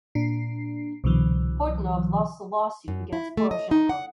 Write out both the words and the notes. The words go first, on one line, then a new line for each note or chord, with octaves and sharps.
Portnov lost the lawsuit against Poroshenko.
A#2 D4 C7
C2 B2 D3 E3 F#3
F#2
E4
A3
D#5
D#4
F#5